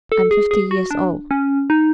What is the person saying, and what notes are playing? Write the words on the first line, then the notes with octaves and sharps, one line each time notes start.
I'm fifty years old.
A4
G#4
G#4
F#4
D4
C#4
D#4